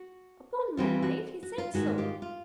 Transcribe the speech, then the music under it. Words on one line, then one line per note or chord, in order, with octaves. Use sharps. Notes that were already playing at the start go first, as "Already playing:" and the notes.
'Upon my life, he said so!
Already playing: F#4
E3 G3 C4 F4 F#4
F#4
F#4
F4
G#2 D#3 G#3 F#4
F4 G4
F4